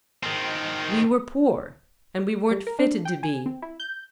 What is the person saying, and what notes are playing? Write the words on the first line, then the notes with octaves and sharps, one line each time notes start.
We were poor, and we weren't fitted to be.
D#3 C4
G3
A#4
D4
G5
G#5
C4
E4
G6